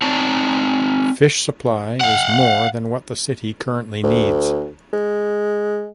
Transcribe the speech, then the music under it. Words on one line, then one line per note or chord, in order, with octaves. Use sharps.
Fish supply is more than what the city currently needs.
C4 D#4 C#5 D5 A5
F5 F#5
D2
G#3